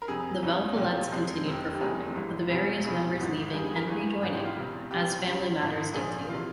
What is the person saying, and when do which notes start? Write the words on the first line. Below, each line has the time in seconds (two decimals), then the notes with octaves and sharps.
The Velvelettes continued performing, with various members leaving and rejoining, as family matters dictated.
0.02 A#4
0.08 F2 C3 G3 G#4
0.43 E2 C#3 G3
0.77 E1 E2 C3 G4
1.12 F2 C3 F3 G#3
1.46 F1 F2 C3 G4
1.75 G4
1.80 F1 E2 C3 G3 G#4
2.15 G#1 G2 E3 G#3
2.49 E1 E2 C3 G3 G#4
2.84 E1 E2 C3 G3 G#4
3.19 G#1 G#2 E3
3.53 G1 G2 G3 G#4
3.64 G#4
3.76 A#4
3.87 G1 G2 E3 G#4
4.22 G#1 G#2 E3 G#3 G#4
4.34 G4
4.45 F4
4.57 E1 E2 C3 G3
4.91 E1 E2 C3 G4
5.26 C#2 C#3 G3
5.60 G#1 G#2 E3
5.94 A#1 A#2 F3 G#4
6.29 C3 E3 F4